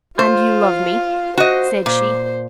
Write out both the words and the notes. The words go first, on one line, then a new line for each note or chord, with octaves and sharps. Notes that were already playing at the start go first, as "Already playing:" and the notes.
"And you love me?" said she.
F4 C5
F#4 C5 D#5
A#2 C5